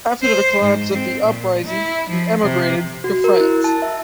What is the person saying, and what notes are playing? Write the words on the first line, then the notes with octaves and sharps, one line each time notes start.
After the collapse of the Uprising he emigrated to France.
C5
G#2
C4
A#2
E4
F3
C3
F#4
A#4
E4
A5
E5